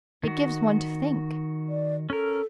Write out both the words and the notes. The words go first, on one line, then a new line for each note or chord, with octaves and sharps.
It gives one to think.
D#3 F#4
D5
C#4 A4 A#4